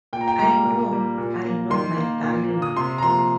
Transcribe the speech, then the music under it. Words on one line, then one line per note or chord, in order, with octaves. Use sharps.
I know, I know, my darling.
A#2 G5
A#5
G5
G3 A#3 A#5
A#2
G3 A#3
A#2
A#3
D#3 C6
A#3
A#2
A#3
D#6
C3 C6
A#5
F3 A#3 C6